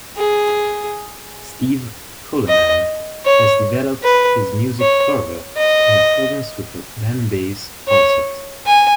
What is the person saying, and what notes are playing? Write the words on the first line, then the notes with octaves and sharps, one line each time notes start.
Steve Coleman has developed his music further in accordance with the M-Base concept.
G#4
D#5
C#5
B4
C#5
D#5
C#5
G#5